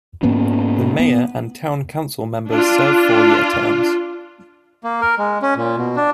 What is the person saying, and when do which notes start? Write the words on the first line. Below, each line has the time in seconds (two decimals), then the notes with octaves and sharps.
The Mayor and Town Council members serve four year terms.
0.23 G#2 A#3 B3 C#4
0.99 B3
2.49 D4 F4
4.84 A#3
5.01 A#4
5.18 G#3
5.42 C#4
5.56 A#2
5.77 B2
5.97 D4